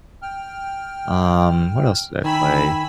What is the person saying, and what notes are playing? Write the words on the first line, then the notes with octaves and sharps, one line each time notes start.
um, what else did I play?
G5 F6
D#3 G5 G#5 B5 E6